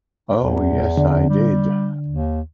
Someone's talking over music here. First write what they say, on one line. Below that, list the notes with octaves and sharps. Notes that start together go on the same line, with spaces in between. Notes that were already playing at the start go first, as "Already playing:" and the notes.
Oh, yes, I did.
E2
D3
G3
D#2